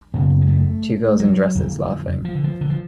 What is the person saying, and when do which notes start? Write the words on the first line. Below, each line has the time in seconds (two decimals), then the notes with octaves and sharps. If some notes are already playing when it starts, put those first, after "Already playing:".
Two girls in dresses laughing.
0.14 F#2 C#3 B3
0.41 G#3
0.49 A3
1.20 F#3
1.55 F2 D3
2.25 F3
2.35 D3
2.44 F3
2.61 D3
2.70 F3